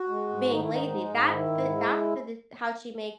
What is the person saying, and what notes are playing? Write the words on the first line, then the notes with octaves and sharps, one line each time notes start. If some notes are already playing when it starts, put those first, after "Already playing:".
being lazy, that's the that's the de how she makes
Already playing: F#4
G#3
G#2
D#3 D#4
E4
G#2 D#4
G#3
G#2
D#3 E4
G#2
G#3